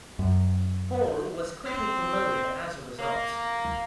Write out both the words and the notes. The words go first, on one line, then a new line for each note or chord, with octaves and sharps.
Pohl was quickly promoted as a result.
F#2
C4
A#3